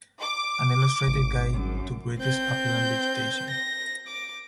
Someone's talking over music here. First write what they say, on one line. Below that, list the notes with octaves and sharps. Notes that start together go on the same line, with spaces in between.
An Illustrated Guide to British Upland Vegetation.
D6
G#1
F#2
C4 G6
A#6
D6